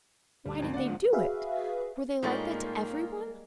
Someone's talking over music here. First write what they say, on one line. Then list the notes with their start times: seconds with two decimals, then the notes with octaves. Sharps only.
Why did they do it? Were they like that to everyone?
0.46 D2 G3
0.59 G#1 F2
0.74 D3 A#3 D5 F#5
0.85 C#2 G#2 F3
1.13 F#4 G#4 B4 E5 F5
2.23 A2 G3 G#3 A#3 D#4 F4 C#5 A6